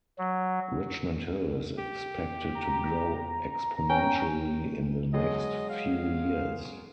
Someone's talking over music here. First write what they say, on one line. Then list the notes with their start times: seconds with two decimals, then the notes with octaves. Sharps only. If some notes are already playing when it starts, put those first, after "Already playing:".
Richmond Hill is expected to grow exponentially in the next few years.
0.18 F#3
1.78 G4
2.55 A#5
3.89 C#4 G5
5.14 F#3 G#3 D#5
5.70 F5